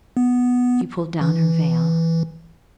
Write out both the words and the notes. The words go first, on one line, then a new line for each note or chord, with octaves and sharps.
She pulled down her veil.
B3
E3